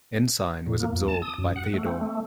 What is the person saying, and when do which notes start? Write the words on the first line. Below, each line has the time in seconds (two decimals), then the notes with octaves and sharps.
Ensign was absorbed by Theodore.
0.67 A2
0.80 A#3
0.92 F2
1.08 A5
1.22 D#6
1.38 F#2
1.56 F#5
1.74 A3
1.87 C4
2.01 A3